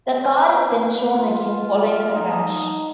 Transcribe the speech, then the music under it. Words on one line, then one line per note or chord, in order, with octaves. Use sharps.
The car is then shown again following the crash.
C5
B4
F4
F4
D#4